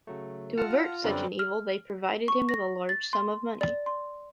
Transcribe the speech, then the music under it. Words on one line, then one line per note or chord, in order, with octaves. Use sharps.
To avert such an evil they provided him with a large sum of money.
C#3 F#3 A3
F4 F#5 A5 A#5 F6
F#2 D3 G3 C4 A#4 B4 D5
F6
C#6
A#6
A6
C6
D5
C6